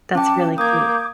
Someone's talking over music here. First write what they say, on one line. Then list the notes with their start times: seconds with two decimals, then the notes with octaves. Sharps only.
That's really cute.
0.15 C#4 G5 A5 D6
0.58 A#3 D6 D#6 G6 G#6